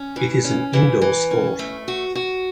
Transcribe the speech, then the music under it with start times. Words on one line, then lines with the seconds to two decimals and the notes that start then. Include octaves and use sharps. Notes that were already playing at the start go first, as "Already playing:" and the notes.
It is an indoor sport.
Already playing: C#4
0.16 E3
0.44 C#4
0.73 E3
1.01 E3
1.31 C#4
1.59 A3
1.88 F#4
2.15 F#4